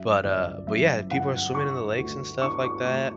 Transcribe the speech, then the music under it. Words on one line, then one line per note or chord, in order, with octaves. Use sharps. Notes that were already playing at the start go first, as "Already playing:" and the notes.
but, uh but yeah, people are swimming in the lakes and stuff like that.
Already playing: F#2 E5
G1 D5
F#2 E5
G1 F#5
D4 C#6
D2
D4 C#6
C#6
A3 C#6